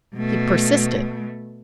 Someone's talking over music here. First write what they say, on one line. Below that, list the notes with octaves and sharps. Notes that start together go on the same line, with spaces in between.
He persisted.
B2 A3